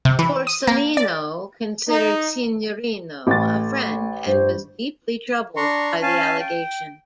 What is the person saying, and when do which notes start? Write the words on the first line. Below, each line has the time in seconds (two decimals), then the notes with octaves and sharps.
Borsellino considered Signorino a friend and was deeply troubled by the allegation.
0.05 C3
0.19 E3
0.47 D#6
0.67 A#3
0.97 D5
1.88 D#4
3.27 A1 A3 A6
4.27 G2 C5
5.57 D4 A#5 C6 C#6
6.02 C#4 F5 G#5 A5
6.40 G5